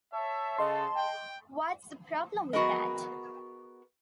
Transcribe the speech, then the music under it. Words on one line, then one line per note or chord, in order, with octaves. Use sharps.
What's the problem with that?
C#5 E5 A5
C#3 A4 D#5 C6
G5
B3 F#4 G#4 A#4 B4 D#5